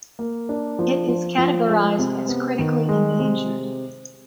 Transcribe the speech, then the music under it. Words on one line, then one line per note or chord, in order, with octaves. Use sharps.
It is categorized as Critically Endangered.
A#3
D4
F3
F3
F3
G#3
C3
B3
D#3
G#3
C3